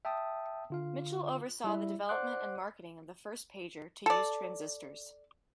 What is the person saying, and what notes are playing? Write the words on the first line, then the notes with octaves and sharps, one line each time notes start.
Mitchell oversaw the development and marketing of the first pager to use transistors.
E5 G5 A5 D#6
D3 F4 F5
G3 E4 E5
C5 D5 F#5 C6 D6 F#6
A4 D5